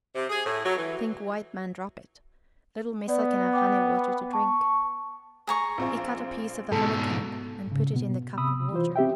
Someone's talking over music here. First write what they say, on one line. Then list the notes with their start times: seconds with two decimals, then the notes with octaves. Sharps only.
"Think white man drop it, little Missa can have honey-water to drink." He cut a piece of the honeycomb and put it in the cup of water.
0.14 C3
0.30 G#4
0.45 A2
0.63 F#3
0.76 E3
3.09 B3 D5
3.53 G5 D6
4.33 A5 C#6
5.47 G#4 A#5 C#6
5.78 A#1 C4 F4
6.72 G#2 B2 A4
7.67 G#2 C#3
7.92 B2 B3
8.38 C3 B5 D#6 E6
8.72 E3 F4 C5
8.96 C4 G4 E5 G5